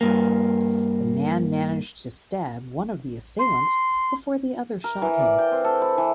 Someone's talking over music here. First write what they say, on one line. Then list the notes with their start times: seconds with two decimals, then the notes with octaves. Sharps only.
The man managed to stab one of the assailants before the other shot him.
0.01 G2 A#3
3.39 C6
4.84 A#4
5.02 E3
5.19 D5
5.38 G5
5.52 C4
5.64 A4
5.82 B5
5.98 E3